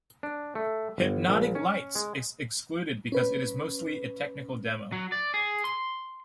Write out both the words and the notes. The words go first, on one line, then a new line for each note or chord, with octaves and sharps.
"Hypnotic Lights" is excluded because it is mostly a technical demo.
D4
A3
G1
A#1
C#4
G#3
C#4 B4
F#3
D5
G#4
C6